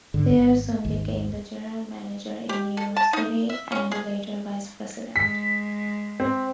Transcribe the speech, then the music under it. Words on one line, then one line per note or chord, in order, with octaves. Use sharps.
Thayer soon became the general manager in New York City and later vice-president.
G#1 G#2 D3
G#1
G#1 D#2
G4
A4
A5
D#4
E5
C#4
G#4
G#3 B6
C4